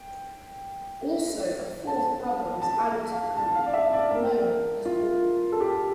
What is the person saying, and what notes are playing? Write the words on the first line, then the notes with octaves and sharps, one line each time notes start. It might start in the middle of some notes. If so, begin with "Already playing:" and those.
Also a fourth brother was added to the group known as Wolf.
Already playing: G5
A5
A5
F5
A5
F5
D5
E5
D5
A#4
F4
A4
G4